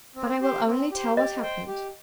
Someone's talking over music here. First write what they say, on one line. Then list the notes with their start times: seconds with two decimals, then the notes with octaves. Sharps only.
But I will only tell what happened.
0.15 C4
0.41 G4 C5
0.66 C4
0.91 G4 C5
1.17 G4 D#5
1.42 C5 G5
1.67 G4